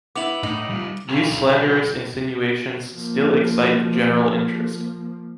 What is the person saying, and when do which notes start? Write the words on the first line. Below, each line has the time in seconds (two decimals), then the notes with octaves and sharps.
These slanderous insinuations still excite the general interest.
0.16 B3 E4 D6 F7 F#7
0.43 A2 D#4
0.69 G3 F4
1.08 B1
2.94 F3 A#3